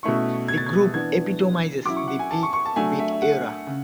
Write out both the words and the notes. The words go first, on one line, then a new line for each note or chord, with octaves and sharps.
The group epitomises the big beat era.
B2 A3 C#4 E4 C#6
G#6
A6
G#6
E3 B3 D4 G#6
F#3 C#4 E4 D6
C#6
F#5
G#5
A5
C#6
C#6
A5
F#3 A3 D4 G#5
E5
E5
F#5
C#3